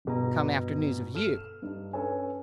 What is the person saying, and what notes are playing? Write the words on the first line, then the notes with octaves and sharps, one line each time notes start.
"Come after news of you."
G1 B2 A#5
A4 F6 E7
G2 D#4
C#4 A4 B4 C#5 G#5